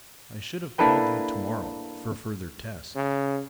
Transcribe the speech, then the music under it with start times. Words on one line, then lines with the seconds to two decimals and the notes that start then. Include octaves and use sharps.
I should have called you to-morrow, for further test.
0.78 A#3 D4 E4 A4 B4 G5
2.96 C#3